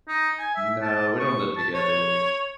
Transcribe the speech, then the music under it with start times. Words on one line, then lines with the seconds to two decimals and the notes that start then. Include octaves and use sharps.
No, we don't live together.
0.08 D#4
0.39 G#5
0.56 E5
0.82 A5
1.19 C#6
1.57 A5
1.74 C#5